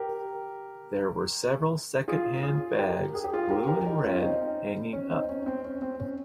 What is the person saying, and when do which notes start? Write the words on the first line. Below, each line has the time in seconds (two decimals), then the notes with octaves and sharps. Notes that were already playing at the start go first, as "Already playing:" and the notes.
There were several second-hand bags, blue and red, hanging up.
Already playing: G4 A#4
2.08 F4 G#4
2.43 F4 G#4
2.78 G4 A#4
3.15 G#4
3.24 G4
3.33 F4 G#4
3.50 G4 A#4
3.68 G4 A#4
3.86 D#4 G4
4.04 C#4 F4
4.22 C4 D#4
4.93 C#4
5.11 C4 D#4
5.29 C#4
5.46 C4
5.64 C#4
5.82 C4
6.00 C#4